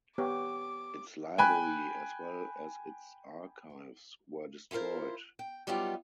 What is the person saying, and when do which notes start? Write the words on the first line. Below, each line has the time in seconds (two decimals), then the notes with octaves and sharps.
Its library as well as its archives were destroyed.
0.18 B3 G4 C#5 D6
1.38 G5 G#5 B5 F#6
4.71 E4 F4 G#4 A#4 C5
5.39 G5
5.67 F#3 G3 B3 D#4 F4 G4